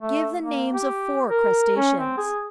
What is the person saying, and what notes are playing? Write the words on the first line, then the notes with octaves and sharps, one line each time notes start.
Give the names of four crustaceans.
A3
A#3
G4
A#4
C#4
C4
G#4